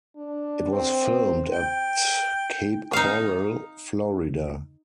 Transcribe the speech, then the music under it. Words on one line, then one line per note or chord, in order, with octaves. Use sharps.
It was filmed at Cape Coral, Florida.
D4
C4
G5
D#4 F5